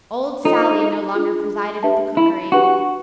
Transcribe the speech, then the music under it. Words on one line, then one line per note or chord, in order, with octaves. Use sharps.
Old Sally no longer presided at the cookery.
D4 D#4 F4 A4 C5
D4 F4 G#4
D4 G4 B4 E5 A5
E4
D4 F#4 G4 B4